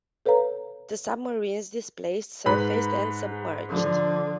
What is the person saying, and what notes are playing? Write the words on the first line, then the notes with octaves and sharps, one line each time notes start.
The submarines displaced surfaced and submerged.
A4 B4 C#5 F5 A#5
G#2 B4 B5
D3 F3